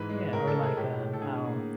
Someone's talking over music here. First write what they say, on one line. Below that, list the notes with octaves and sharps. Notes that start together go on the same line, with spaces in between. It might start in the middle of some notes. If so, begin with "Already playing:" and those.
yeah, or, like, um, I'll
Already playing: G#2 E3 B4
G#3
A2 A#4
A4
G#3
G#4
A2 G4
G4
A2
A4
D3 G#4
A#3 G#4